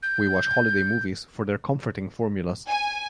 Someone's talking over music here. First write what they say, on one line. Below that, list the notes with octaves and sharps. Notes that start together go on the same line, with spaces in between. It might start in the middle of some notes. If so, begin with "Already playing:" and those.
We watch holiday movies for their comforting formulas.
G6
G#5